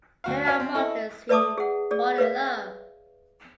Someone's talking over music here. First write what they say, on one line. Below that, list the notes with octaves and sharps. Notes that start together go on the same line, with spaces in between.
Mary and Martin soon fall in love.
D2 F#4 F5
C#5 D5 F5 G#5 A5
C4
E4 A4 D#5
B4 D5 E5 A5 D6 D#6
G#4 F#5
G#4 D5
B4 C#5 E5 F5